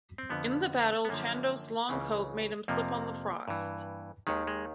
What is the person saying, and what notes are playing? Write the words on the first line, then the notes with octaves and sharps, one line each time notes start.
In the battle, Chandos' long coat made him slip on the frost.
C4
F2 D3 F3 B3
B3
F#2 D3 F3 A#3
C#2 C#3 E3
F2 C3 F3 A#3
G2 E3
D#2 D#3 G#3
G#3